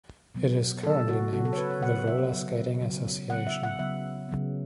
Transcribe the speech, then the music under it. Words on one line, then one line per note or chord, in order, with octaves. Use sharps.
It is currently named the Roller Skating Association.
B2 F#3 B3
C#3 F#3 B3 A4
F#4
C#3 F#3 B3 F#4
A4
C#5
B4
C#5
C#3 F#3 B3 F#5
E5
C#3 F#3 B3
C#3 F#3 B3
C#3 F#3 B3 F#5
E5
F#5
C#3 F#3 B3 E5
C#3 F#3 B3